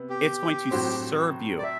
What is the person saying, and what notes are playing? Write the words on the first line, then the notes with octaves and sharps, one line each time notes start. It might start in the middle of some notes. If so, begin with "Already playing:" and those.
it's going to serve you,
Already playing: C3 B3
G4
A2 F#3 C4 F#4 C5
D5
E5